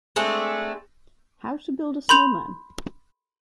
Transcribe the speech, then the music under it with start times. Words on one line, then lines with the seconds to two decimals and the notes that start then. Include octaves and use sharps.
How to build a snowman.
0.16 G#3 A3 C4 D4
2.09 B5 C6 G6 F7